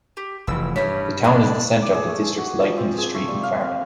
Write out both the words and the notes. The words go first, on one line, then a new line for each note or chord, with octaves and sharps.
The town is the centre of the district's light industry and farming.
G4
F1 E3 E6
G2 C#4 E4 C#5 B5
A2 D3 C#4 D4 G#4
D6
G#4
A3
G#4
F#4
F3
C4
G#4
A3
G3
F5
C4